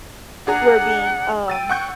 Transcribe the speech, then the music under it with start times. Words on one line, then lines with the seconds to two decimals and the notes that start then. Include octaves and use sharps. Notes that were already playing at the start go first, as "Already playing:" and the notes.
we're being, um,
0.47 D4 G#4 F#5 A#5
1.48 G5 E6 A6 D#7
1.69 F#5 C#6 G6